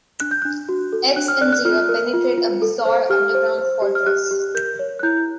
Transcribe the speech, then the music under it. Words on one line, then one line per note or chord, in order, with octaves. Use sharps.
X and Zero penetrate a bizarre underground fortress.
D4 F#6
G6
D4 F#6
F#4
A4
D4 F#6
F6
D5 F#6
F#6
F4 F6
A#4
F4
F4
A4
C5
G4 F6
C5
C5
G4
F6
G4 F#6
G4
A#4 G6
C#5
F#6
E4 G6